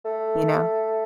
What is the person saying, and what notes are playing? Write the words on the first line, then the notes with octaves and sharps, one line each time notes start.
you know,
A3